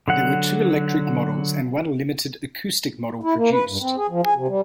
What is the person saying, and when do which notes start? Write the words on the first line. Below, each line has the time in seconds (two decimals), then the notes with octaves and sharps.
There were two electric models and one limited acoustic model produced.
0.08 D3 F#3 F#5
3.23 E4
3.35 A#3
3.52 B4
3.68 G2
3.81 C4
3.96 G#4
4.10 F3
4.23 G#4
4.35 C3
4.48 G3